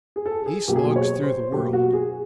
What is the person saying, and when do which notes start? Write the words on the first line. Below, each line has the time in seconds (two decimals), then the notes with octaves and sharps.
He slogs through the world.
0.16 G#4
0.26 A4
0.46 G#4
0.68 B2 F#3 A#3 G4
0.76 G#4
0.84 G4
0.96 C#5
1.23 C5
1.52 B2 F#3 A#3 G4
1.73 F#4
1.93 G#4